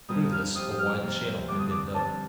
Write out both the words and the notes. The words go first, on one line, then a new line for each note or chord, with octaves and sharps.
Through this a wide channel had been dug.
F2 D#3 G3 D#6
F6
F3 C4 G4 D#6
F6
C3 F3 A#3
D3 G3 C4 D6
D#6
D6
G2 D3 F3 C4 A5